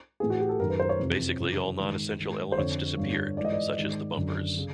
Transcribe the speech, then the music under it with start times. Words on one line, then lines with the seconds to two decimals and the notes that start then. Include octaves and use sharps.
Basically all non-essential elements disappeared, such as the bumpers.
0.20 A2 E3 G#4
0.30 F#4
0.40 G4
0.49 A4
0.59 F#2 D#3 A#4
0.70 B4
0.80 C5
0.89 C#5
0.99 F2 C3 E3
1.39 F#2 C#3 E3
1.78 G#2 D#3
2.18 G#2 D#3
2.52 C5
2.57 F2 D3 C#5
2.97 G2 D3
3.37 G#2 E3 D5
3.45 D#5
3.52 D5
3.77 G#2 D#3
4.16 F#2 D3
4.58 C#3